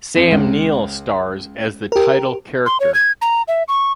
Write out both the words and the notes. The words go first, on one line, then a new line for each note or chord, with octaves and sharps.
Sam Neill stars as the title character.
F2
C#2
G4 A#4
C6
C#5
G#6
A#5
E5
C#6